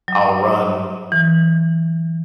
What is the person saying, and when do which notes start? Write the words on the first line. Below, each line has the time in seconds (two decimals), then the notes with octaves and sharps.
I'll run
0.08 F#3
1.12 E3